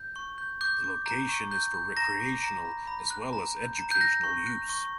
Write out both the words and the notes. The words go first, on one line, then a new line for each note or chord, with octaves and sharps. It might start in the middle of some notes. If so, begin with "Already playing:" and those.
The location is for recreational as well as educational use.
Already playing: G6
C#6
G6
D6 G6
D6
A#5
C#6
G6
G6
A#5 A#6
D6
A#5
B5
B5
F#6
A#5
G6
A#5
G6
F#6 A#6
C#6
F#6
C#6